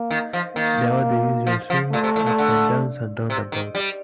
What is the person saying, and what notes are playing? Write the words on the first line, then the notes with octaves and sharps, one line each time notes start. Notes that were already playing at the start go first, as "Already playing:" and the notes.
There were the usual swings, ups-and-downs and roundabouts.
Already playing: A#3
D#3
F3
D#3 A#3
F3
F3
A#2 A3
C3
A2
A#2
D3
C3
D#3
G3